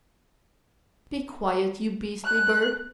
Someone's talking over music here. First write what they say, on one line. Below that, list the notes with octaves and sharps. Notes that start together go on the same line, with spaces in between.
"Be quiet, you beastly bird!"
F#6